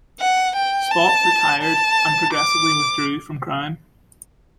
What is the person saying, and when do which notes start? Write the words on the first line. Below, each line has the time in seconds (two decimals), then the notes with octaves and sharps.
Spot "retired" and progressively withdrew from crime.
0.19 F#5
0.56 G5
0.91 A5
1.62 A5
2.33 D6